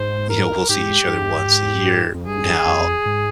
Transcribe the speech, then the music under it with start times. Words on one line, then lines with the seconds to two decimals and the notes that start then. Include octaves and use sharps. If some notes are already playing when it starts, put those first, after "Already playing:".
you know, we'll see each other once a year now,
Already playing: G#2 C5
0.30 A#4
0.69 G#2 G4
1.08 G2
1.37 G2
1.47 G#2
2.14 F2
2.26 G2 G#4
2.66 F2
3.06 G#2